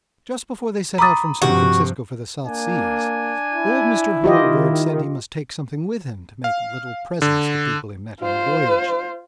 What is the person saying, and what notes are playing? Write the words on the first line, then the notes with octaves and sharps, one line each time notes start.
Just before they set out from San Francisco for the South Seas old Mr Hurlbird said he must take something with him to make little presents to people he met on the voyage.
A#5 B5 D6 D#6 A6
G2 C3 F3 F#4
A#3 D4 G#5
E4
D#3 F4 G4 D#5
F5
D3
F4 C5